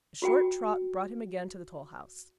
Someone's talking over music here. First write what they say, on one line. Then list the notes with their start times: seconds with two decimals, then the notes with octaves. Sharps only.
A short trot brought him again to the toll-house.
0.22 F4 F#4 G5